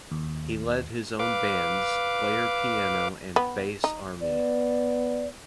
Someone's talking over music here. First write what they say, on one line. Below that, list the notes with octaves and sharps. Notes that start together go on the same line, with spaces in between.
He led his own bands, Player Piano and Bass Army.
D#2
B4 F5 D6
B3
D#4
B3 D5